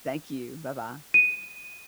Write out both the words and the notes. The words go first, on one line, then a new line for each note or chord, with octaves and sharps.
Thank you. Bye-bye.
D#7